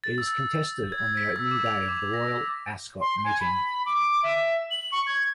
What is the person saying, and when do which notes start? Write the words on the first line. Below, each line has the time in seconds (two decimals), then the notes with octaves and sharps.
It is contested on the opening day of the Royal Ascot meeting.
0.04 A6
0.18 E6
0.92 G#6
1.17 B6
1.36 E6
1.51 D6
1.66 F7
1.88 D6
2.14 A#6
3.01 C6
3.24 G#5
3.40 B5
3.86 D6
4.23 E5
4.71 F#7
4.92 C#6
5.07 G#6